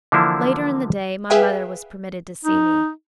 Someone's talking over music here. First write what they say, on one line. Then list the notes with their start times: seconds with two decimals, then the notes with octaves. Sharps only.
Later in the day, my mother was permitted to see me.
0.12 D3 E3 F3 A#3 D4 E4
1.30 G#4 B4 E5 F5 G5 G#5
2.45 D#4